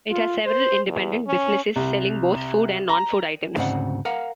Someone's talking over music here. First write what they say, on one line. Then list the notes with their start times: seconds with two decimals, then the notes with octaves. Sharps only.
It has several independent businesses, selling both food and non-food items.
0.10 F4
0.46 C5
0.88 E2
1.27 C#4
1.76 C2
2.89 A#5
3.56 D2 G#2 C#3 C4 D5 F#5
4.05 A#4 F5 F#5